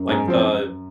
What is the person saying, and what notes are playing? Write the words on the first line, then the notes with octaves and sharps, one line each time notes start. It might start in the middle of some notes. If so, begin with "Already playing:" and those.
like, a
Already playing: F#2
G#2
F3 C4